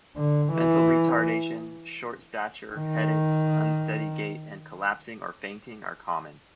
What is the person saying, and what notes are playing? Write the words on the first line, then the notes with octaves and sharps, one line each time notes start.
Mental retardation, short stature, headaches, unsteady gait, and collapsing or fainting are common.
D3
E3
D#3